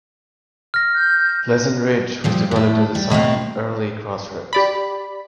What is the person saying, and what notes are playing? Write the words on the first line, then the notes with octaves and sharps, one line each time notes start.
Pleasant Ridge was developed at the site of an early crossroads.
F6 A#6
G6
A#2 F3 G3
A2 A3
G3
B2 A3 A#3 C4
G4 D5 B5